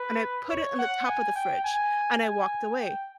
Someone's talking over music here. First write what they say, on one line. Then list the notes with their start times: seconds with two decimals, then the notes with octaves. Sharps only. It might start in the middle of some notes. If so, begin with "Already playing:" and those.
and I put it on the top of the fridge, and I walked away.
Already playing: B4
0.49 C#5
0.79 F#5
1.07 G#5
1.35 G5
1.64 G#5
2.23 G#5
2.79 G5